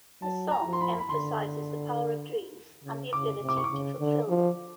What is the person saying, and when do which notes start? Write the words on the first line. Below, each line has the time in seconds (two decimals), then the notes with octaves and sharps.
The song emphasizes the power of dreams and the ability to fulfill them.
0.22 F#3 A5
0.51 A#5
0.65 F3
0.73 C6
0.81 B5
0.98 B5
1.09 D3 C6
2.84 C#3
3.13 C#3 D6
3.41 C3
3.49 D6
3.57 C#6
3.64 D6
3.71 C#3
4.00 D3
4.29 F3